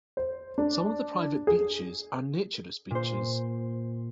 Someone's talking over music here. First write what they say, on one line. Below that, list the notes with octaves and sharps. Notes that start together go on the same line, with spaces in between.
Some of the private beaches are naturist beaches.
C5
D4
G#4
A#2 C5